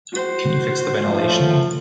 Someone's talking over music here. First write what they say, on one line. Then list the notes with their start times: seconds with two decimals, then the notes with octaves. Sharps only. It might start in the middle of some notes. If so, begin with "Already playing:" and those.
Can you fix the ventilation?
0.13 F#4 C5
1.06 F#2 F3 A3